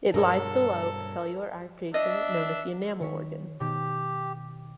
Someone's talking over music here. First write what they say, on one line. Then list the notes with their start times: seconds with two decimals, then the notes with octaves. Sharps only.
It lies below a cellular aggregation known as the enamel organ.
0.14 G2 B2 G3 A4 A#4 C#5
1.94 D4 D#5 E5
3.00 D#3 C#5 B6
3.60 B2 D#3 G4 G5